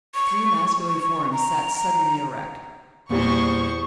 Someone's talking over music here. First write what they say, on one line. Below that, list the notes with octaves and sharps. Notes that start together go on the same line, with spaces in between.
Three masculine forms sat suddenly erect.
C#6
C#6
A#5
A#5
E2 A#2 G3 C5 C#6